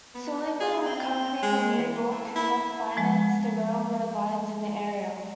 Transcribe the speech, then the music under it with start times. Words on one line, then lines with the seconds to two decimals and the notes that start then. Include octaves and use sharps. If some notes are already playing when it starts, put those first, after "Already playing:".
Seligman Company of New York, who helped finance the railroad lines in the area.
0.15 B3
0.60 G#4
0.86 C4
1.43 G#3
1.78 E3
2.11 A3
2.36 E4
2.97 F3 G#3